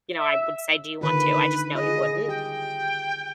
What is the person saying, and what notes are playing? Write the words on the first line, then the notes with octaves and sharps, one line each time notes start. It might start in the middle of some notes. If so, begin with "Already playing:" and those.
you know, I would say, "Do you want to?" I just know he wouldn't.
E5
D3 D#3 F4 B4
F4 G#4 D#5
G4 G5